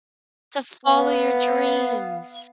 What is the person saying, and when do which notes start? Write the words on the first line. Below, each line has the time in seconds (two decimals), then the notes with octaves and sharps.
To follow your dreams.
0.85 B3 F5